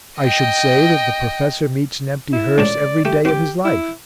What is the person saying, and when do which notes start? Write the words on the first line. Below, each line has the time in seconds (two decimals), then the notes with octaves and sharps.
I should say that the professor meets an empty hearse every day of his life.
0.19 D#5 G5
2.33 E4
2.58 C#2 A2 D5 A5
3.05 A3 G4
3.25 C4 G4 D6
3.65 E4